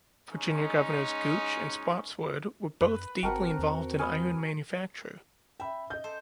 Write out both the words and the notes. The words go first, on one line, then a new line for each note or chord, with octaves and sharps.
Virginia Governors Gooch and Spotswood were both deeply involved in iron manufacture.
G#3 C#4 D#4
F#2 B4
G#1 C4 F#4 A#4 F#5 G5 A5
E2
C#5 G#5 B5 D#6 F6
E5 G5 B5
D#5 G6
A4 C5